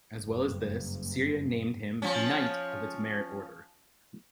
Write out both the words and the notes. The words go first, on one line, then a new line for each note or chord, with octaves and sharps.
As well as this, Syria named him Knight of its Merit Order.
F#1 G2
F3 C#4